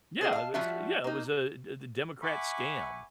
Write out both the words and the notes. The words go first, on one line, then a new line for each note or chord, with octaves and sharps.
Yeah it was yeah it was, uh, the the Democrat scam.
G#4 C5 D#5
F5 A5
F3 G3 F4 F#4 E5 F#5
A#3 D#4
E5 F#5 G#5 B5 C#6 D6